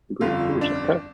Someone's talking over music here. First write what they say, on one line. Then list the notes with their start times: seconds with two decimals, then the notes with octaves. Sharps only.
The Great Believers, okay.
0.21 G1 F2 D3 F4
0.61 D4